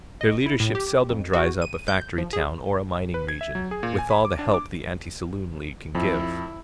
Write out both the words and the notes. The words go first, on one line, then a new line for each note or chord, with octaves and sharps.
Their leadership seldom dries up a factory town or a mining region, with all the help the Anti-Saloon League can give.
D#5
E4
A2
G4
F2
F#4
D#7
G6
F3
G#4
B4
G#6
E5
F#3
G#4
A#2
G#5
B5
D6
D4
D6
F2 E4